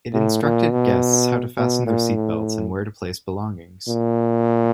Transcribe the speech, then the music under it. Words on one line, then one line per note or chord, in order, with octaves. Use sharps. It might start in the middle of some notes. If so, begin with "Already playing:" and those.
It instructed guests how to fasten their seat belts and where to place belongings.
A2
A#2
B2
B2
A#2
A2
A#2